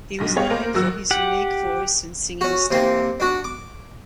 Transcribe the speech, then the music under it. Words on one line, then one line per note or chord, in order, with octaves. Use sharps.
He was known for his unique voice and singing style.
B1 G2 A#6
B3 G4 G#4 C#5 F5
A#3 A#4 C5
G#1 F#3 F#4 A#4 E6
G4 F#5
C#4 F#4
C3 A#3 C4
D4 F#4
D6